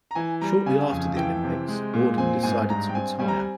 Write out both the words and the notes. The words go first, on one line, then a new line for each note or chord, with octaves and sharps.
Shortly after the Olympics Bordin decided to retire.
A#5
E3 G#5
G3 A#5
C#3 G#5
F2 G#5
E3 G5
C3
G#3
A#2
C4 G#5
G#2 G#5
G2 A#5
G5
C4 G#5
G3 G#5
A#5
G#5